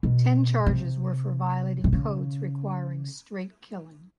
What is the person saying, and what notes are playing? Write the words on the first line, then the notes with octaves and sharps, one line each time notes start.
Ten charges were for violating codes requiring straight killing.
B2
C3
C3
C#3